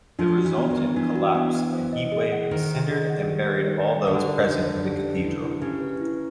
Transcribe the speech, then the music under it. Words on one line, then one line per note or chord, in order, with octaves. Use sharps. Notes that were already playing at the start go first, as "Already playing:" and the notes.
The resultant collapse and heat-wave cindered and buried all those present in the Cathedral.
F3 D4
F#4
E3
B3
D#3
B3
E3 D4
F#4
B3
B3
C5
D#5
G#4
F#5
D#3 C5
D#5
G#4
F#5
G4
A#4
D#4
D5
D3 G4
A#4
D#4
D5
G4
B4
E4
E4
C#3 G4
B4
E4